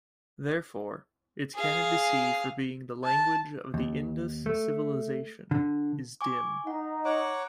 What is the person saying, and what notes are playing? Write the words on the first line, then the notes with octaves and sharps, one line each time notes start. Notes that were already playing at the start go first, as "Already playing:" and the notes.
Therefore, its candidacy for being the language of the Indus Civilization is dim.
G#4 F5
A5
D#2
A3
D3
G#5 C#6 D6
D#4 F#5
C#5 F#5 A#5 D6